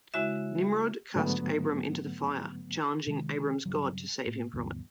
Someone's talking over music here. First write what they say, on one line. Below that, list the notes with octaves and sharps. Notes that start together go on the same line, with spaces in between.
Nimrod cast Abram into the fire, challenging Abram's God to save him from it.
C#3 G#3 E4 F#4 E5
G#2 D3 F#3 A3 B3
C3 D#3 F3 G#3
G2 C#3 F#3
A2
D2 G2 B2 E3